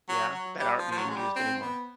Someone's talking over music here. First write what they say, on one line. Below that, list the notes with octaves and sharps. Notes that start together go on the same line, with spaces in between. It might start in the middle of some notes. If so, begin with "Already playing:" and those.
Yeah, that aren't being used anymore.
F#3
F#3
G3
F3
F3
F#3
G#3
G3
C4
B3